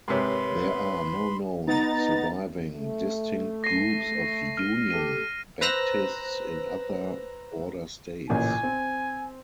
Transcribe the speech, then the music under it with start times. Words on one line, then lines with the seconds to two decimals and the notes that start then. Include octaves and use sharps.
There are no known surviving distinct groups of "Union" Baptists in other border states.
0.08 G#2 C3 G4 A#4 B4 C#5 B5 C6
1.67 B3 D#4 A#5 A6
2.72 A3
3.64 A#6 C7 D#7
4.57 F6 D#7
4.90 G4 A4 D#7
5.61 B4 C5 A#5 E6 F#6 A#6
8.30 A1 A#2 C#3 G#5
8.63 C4